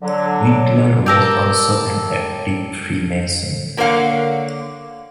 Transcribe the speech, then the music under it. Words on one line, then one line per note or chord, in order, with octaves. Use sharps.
Winkler was also an active freemason.
D3 F#3
G4 A4 A#4
D3 A#3 A#4 C#5 F5 F#5